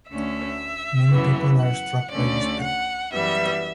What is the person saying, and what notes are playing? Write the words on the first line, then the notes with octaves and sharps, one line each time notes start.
Many people are struck by despair.
D2 D3 A3 C#4 E5
F#2 C#3 E3 B3
F#5
D2 D3 A3 C#4 D5
F#5
F#2 E3 G3 B3 E5